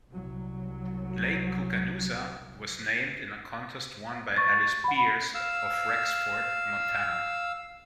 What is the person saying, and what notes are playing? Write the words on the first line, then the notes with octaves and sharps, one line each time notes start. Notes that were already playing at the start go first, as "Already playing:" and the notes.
Lake Koocanusa was named in a contest won by Alice Beers of Rexford, Montana.
C2 F#3
C#6 A6
F#5 B5
F5 E6